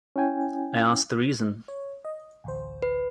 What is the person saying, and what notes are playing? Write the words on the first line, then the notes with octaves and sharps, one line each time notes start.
I asked the reason.
C#4 E4 G5 G#5
C#5
D#5
A1 D2 C5
B4